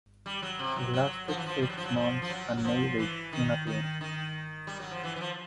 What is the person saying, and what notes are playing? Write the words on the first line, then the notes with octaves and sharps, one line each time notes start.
He lasted six months and made eighteen appearances.
G3
F#3
C3
F#3
F#3
F3
E3
F3
G3
F#3
F3
F#3
F3
F3
F#3
F#3
F3
E3
D#3
D#3
D#3
G3
F#3
F3
E3
E3
F3